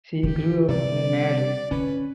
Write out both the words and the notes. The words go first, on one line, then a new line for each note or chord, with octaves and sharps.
She grew up in Made.
D3 D#3 G4
C3 G3 D5
D3 C#4 B4